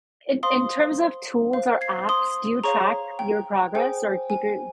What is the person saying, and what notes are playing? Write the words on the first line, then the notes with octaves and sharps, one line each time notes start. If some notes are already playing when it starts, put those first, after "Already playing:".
in in terms of tools or apps, do you track your progress or keep your
C5 F5 C6 D#6
C5 F5
G#6 C7
C6 D#6
G#4 C#5 F5 A#5 C#6
G5
G#4 C5 G5 G#5
G#5